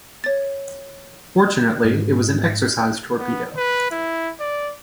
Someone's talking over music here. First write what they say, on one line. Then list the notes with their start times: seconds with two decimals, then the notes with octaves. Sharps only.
Fortunately, it was an exercise torpedo.
0.24 C#5 A6
1.85 G#2
3.19 B3
3.57 B4
3.91 E4
4.40 D5